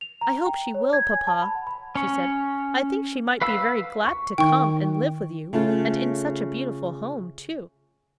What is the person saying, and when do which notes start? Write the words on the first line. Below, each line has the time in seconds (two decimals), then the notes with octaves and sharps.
"I hope she will, papa," she said; "I think she might be very glad to come and live with you; and in such a beautiful home, too."
0.01 F7
0.21 A#5
0.46 G5
0.74 C#5
0.93 G#6
1.13 G#5
1.27 A5
1.42 B5
1.55 F#5
1.67 B5
1.95 C#4 C#5
3.42 B4 F5 B5 E6
4.05 C#6
4.38 D#3 G5 C#6
5.53 C#3 A3 F4